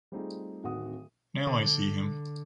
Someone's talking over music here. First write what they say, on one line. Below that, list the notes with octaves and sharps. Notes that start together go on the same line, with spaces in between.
Now I see him.
G3 A3 C4 D#4 F4 G#4
D1 D#3 C4 F#4 D#6
D3